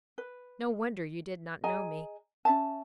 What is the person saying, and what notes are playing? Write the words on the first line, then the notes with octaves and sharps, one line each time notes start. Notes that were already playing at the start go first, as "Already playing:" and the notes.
No wonder you did not know me.
B4
G#4 D#5 G#5 A#5
C#4 E5 A5